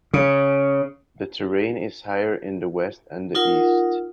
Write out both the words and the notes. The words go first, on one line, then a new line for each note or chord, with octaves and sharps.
The terrain is higher in the west and the east.
C#3
D#4 F4 A#4 F#5